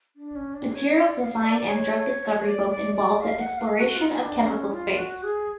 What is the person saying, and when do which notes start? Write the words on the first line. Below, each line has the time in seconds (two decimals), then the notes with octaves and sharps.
Materials design and drug discovery both involve the exploration of chemical space.
0.16 D4
0.35 C#4
0.54 D4
0.73 C#5
0.92 D5
1.19 F#5
1.24 F5
1.44 D5
1.69 C#5
2.45 D5
2.70 D5
2.94 D5
3.21 F5
3.40 F#5
3.58 F5
3.77 F#4
3.96 F4
4.22 D4
4.46 C#4
4.72 F4
4.98 F#4
5.23 G#4